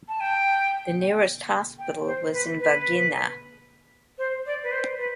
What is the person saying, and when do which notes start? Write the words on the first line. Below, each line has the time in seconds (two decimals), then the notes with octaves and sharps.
The nearest hospital was in Varginha.
0.07 A5
0.20 G5
1.78 G5
2.05 C5
2.32 B4
2.59 B4
4.18 C5
4.45 D5
4.63 B4
4.71 C5
4.98 B4